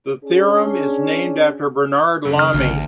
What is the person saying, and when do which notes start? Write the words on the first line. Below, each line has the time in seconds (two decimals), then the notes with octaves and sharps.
The theorem is named after Bernard Lamy.
0.23 C#4 D4 G#4
2.25 F#2 C#3 A4
2.39 F6
2.54 A1 D2